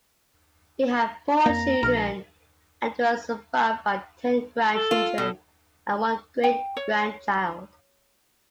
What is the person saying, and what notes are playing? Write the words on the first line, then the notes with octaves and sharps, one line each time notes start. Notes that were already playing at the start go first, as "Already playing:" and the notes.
He had four children and was survived by ten grandchildren and one great-grandchild.
F2 A#3 A#5
A#1 A#4
A4
F4
B2 A4
G5
C#5